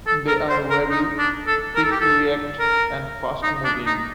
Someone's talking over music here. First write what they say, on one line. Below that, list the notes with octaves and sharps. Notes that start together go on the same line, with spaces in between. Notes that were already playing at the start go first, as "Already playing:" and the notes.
They are wary, quick to react, and fast-moving.
A4
A#4
C5
A#4
D#4
D4
A4
A#4
A4
G4
A4
A#4
D#4
D4
D#4